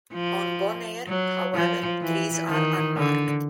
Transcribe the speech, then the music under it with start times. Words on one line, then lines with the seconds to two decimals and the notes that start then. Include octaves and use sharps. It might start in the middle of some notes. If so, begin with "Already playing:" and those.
On Bonaire, however, trees are unmarked.
0.14 F3
1.08 F#3
1.55 F3
2.02 E3
2.49 D#3
2.97 D3